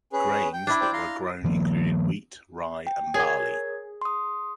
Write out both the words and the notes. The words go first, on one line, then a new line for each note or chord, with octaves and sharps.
Grains that were grown included wheat, rye and barley.
C#4 G#4 B4
G5
D4 E4
C5 D5 G5
F5 A#5 C6
D#3 F3 A#3
G5
G#4 A#4 C#5 G#6
C6 D#6